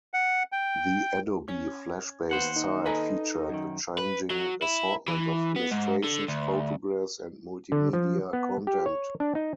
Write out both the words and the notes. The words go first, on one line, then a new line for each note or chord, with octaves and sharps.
The Adobe Flash-based site featured a changing assortment of illustrations, photographs, and multimedia content.
F#5
G5
C#4
D#2 B3 C5 F#5
D#4
A4 B4 D#5 G#5 A#5
F#2 D#3
B4
F#3
E4
E3
B3
G#2
D3
D2
D3
F3
B3
G4
C#5
D4
D#4